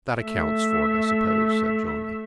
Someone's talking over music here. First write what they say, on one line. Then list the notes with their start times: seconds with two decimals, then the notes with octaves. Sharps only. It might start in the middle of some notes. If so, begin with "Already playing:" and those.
"That accounts for it, I suppose," said Johnny.
0.22 A3 E5